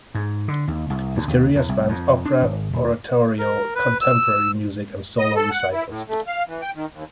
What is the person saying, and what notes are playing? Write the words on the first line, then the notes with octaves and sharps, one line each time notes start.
His career spans opera, oratorio, contemporary music and solo recitals.
G#2
D3
D#2
C2
D2
D#2
E2
C2
F2
D4
G#1
D#1
A#4
B4
E6
D#5
A4
F#5
E4
A2
A3
F5
E3
G5
D#3
D#2